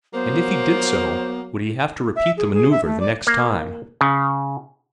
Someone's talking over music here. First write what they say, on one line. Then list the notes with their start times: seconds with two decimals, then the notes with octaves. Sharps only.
And if he did so, would he have to repeat the manoeuvre the next time?
0.14 F#3 A#3 B3 C5
2.15 E5
2.37 G#4
2.53 G#4
2.71 E5
2.84 A3
2.99 D5
3.27 A#3
4.01 C#3